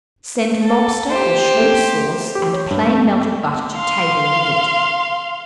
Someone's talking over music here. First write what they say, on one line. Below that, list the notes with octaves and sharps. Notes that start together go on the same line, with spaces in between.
Send lobster or shrimp sauce and plain melted butter to table with it.
A4
G4 C5
A3
G4
C#5
G2
A3
F5 C6